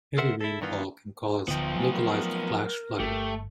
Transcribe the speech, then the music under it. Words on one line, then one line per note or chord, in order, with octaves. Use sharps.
Heavy rainfall can cause localized flash flooding.
A4 A#4 C5 E5 F#5
E4 A4
G2 D#3 E3 B3 F4
D1 D3 F3 B3 D#4 G5
F#3 A3 G#5
A#4
G1 A3 G4